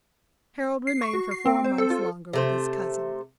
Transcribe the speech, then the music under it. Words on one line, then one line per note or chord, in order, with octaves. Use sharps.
Harold remained for four months longer with his cousin.
C7
C#6
F#4
C7
C4
C5
A4
F4
C3 A3 C5